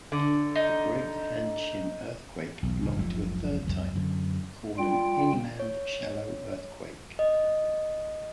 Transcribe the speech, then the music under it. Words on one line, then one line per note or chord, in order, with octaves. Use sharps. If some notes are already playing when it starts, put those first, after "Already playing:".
The Great Hanshin earthquake belonged to a third type, called an "inland shallow earthquake".
D3
D#4
B1 E2
C2 F2 D#3
F#1 C#2 A2 F3
C#2 F#2
F#2 D3
G3 F4 G5
C#5
D#5